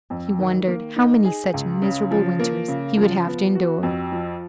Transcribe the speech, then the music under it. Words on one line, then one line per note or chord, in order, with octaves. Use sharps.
He wondered how many such miserable winters he would have to endure.
F2
D#3
A#3
D#4
G#4
C#2
C#3
F3
A#3
C#3
F3
B3
F#4
F2
F3